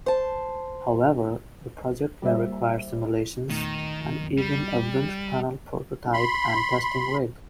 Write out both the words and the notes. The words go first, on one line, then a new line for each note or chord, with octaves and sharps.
However, the project may require simulations, and even a wind-tunnel prototype and testing rig.
C5 A5
G3 A#3 C5 E5
E2 A#2 D#3 A3
B1 F2
G3
B5 C6